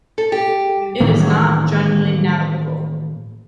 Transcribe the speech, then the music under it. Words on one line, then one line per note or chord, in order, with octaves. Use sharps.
It is not generally navigable.
A4
G4
A2 D#3 E3 A#3